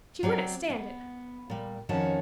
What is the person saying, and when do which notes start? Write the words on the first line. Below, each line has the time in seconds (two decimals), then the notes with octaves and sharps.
She wouldn't stand it.
0.23 F#3 C4 D5
0.70 B3
1.50 A#2 G3
1.89 F2 D#3 C#4 F#4 A5